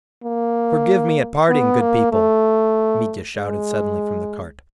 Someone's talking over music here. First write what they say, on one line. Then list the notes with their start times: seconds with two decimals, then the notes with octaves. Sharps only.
"Forgive me at parting, good people!" Mitya shouted suddenly from the cart.
0.24 A#3
1.49 B3
1.81 A#3
2.12 A3
3.37 G#3